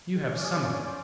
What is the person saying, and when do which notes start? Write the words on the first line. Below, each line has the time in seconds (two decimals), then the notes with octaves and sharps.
You have some of them.
0.16 E3 G4
0.33 C#4 D5 F6
0.44 D#6 G#6
0.87 C6 D6 G6